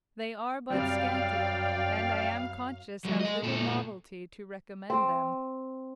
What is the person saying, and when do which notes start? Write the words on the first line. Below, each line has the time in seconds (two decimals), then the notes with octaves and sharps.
They are but scanty, and I am conscious have little novelty to recommend them.
0.70 F#2 C3 G3 D5 F5 G5
3.05 F#3 G#3
3.20 G#4 D#5
3.42 A#2 A4
4.90 C4